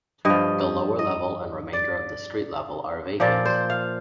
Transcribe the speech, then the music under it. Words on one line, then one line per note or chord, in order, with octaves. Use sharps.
The lower level and the remainder of the street level are vacant.
G2 F3 D#5
D#5
D5
A#2 F3 D5
C5
F5